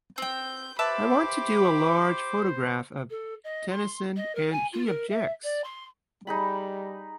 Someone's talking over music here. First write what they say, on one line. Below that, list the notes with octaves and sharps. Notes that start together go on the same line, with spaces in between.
I want to do a large photograph of Tennyson and he objects!
C4 G5 G6
G4 B4 C5 E5 A5 B5 D6
A4
D#5
C6
D#5
A#4
G#5
F4
A#4
E5
D5
C6
G3 D#4 G#4 B5